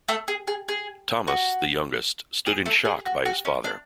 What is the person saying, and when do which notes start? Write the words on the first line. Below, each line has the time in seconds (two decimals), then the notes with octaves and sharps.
Thomas, the youngest, stood in shock by his father.
0.08 A3 A4
0.28 G#4
0.48 G#4
0.68 G#4
1.27 F#4
2.46 G#4
2.66 A3 A4
2.85 G#4
3.06 F#4
3.26 F#4
3.45 C#4
3.64 D4